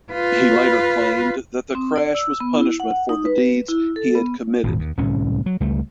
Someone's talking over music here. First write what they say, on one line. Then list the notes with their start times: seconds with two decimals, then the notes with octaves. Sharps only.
He later claimed that the crash was punishment for the deeds he had committed.
0.13 F4 B4
1.75 C4
1.96 D5
2.15 E6
2.40 B3
2.56 E4
2.80 F#5
3.09 D#4
3.25 B4
3.68 E4
3.96 A4
4.15 B3
4.63 D#1 G#1 F2
4.79 D#2
4.98 D1 C2 A2 C#4
5.46 F#3
5.60 C#2 G3 A3